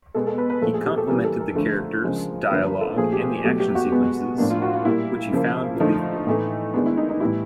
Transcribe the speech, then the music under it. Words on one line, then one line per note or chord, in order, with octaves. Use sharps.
He complimented the characters, dialogue, and the action sequences which he found believable.
B2 G#3 B3 A4
A4
B4
B4
A#2 F3 A3 A4
G#4
G4
A4
C#3 E3 G3 A#4
A4
A#4
D3 F3 A3
C#3 F3 G#3
D3 F3 A#3 B4
A#4
A4
A#2 F3 A3 G#4
G4
B2 F#3 A3 G4
G4
F#4
B2 G#3 B3
A2 F3 A#3 D4
F4
F#4
F4
A#2 G3 A#3 E4
C#3 F3 A#3
D3 F3 A3 D#4
A2 E3 A3
D#3 G#3 B3 D4
E4
D#4
D#4
A2 E3 G3 E4